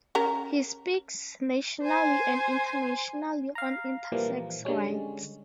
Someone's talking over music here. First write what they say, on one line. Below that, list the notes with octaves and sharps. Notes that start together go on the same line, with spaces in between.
He speaks nationally and internationally on intersex rights.
C#4 A#4 A#5
C5 G#5
F5 A#5
A#2 E3 F3 G3 A#3
D3 G3 G#3 C#4